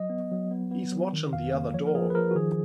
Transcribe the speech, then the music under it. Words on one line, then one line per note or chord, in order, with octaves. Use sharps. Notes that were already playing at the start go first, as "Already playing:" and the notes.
He's watching the other door.
Already playing: F#3 D#5
B3
F#3
B3
B3
F#3
D#3
F2 F5
A#3
F3 C#5
A#4
F3 G#4
B4
F3 A#4
F#4
D#3 G#4